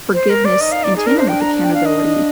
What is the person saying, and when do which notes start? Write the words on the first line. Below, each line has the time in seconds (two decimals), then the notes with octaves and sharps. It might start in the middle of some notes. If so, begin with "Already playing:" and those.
forgiveness in tandem with accountability,
0.14 C5
0.30 A#4
0.45 D5
0.60 D#4 D#5
0.72 F5
0.84 D5
0.96 G#4
1.06 D4 A#4
1.18 C5
1.28 G5
1.41 A#5
1.63 G5
1.74 F5
1.85 D#5
1.97 D4